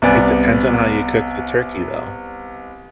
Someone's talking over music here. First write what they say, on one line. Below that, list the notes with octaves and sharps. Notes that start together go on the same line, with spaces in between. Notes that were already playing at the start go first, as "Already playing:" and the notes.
It depends on how you cook the turkey, though.
C2 B3 D5 G#5